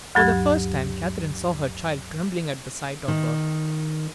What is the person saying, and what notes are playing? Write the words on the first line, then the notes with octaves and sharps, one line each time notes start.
For the first time Catherine saw her child trembling at the sight of her.
D2 G2 F#3 G4 G#6
D#3